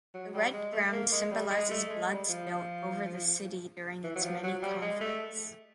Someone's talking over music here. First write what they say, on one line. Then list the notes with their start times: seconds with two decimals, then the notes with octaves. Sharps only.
The red ground symbolises blood split over the city during its many conflicts.
0.14 F#3
0.34 G3
0.53 G#3
0.73 A3
0.93 A#3
1.13 G#3
1.32 G3
1.51 G#3
1.71 A3
1.90 G#3
2.09 G3
2.29 F3
4.04 E3
4.16 F#3
4.23 F3
4.44 F#3
4.63 G3
4.82 G#3
5.01 A3